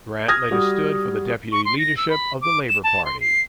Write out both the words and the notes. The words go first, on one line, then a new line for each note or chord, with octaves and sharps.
Grant later stood for the deputy leadership of the Labour Party.
D#6 F6 G#6 A#6
G3 F#4
C#6
C6
A#6
E6
B5
D6
E7
A5
C6
C7